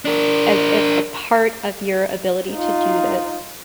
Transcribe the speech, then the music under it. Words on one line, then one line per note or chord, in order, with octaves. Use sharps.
as if a part of your ability to do this
D4 A#4
D#4 F4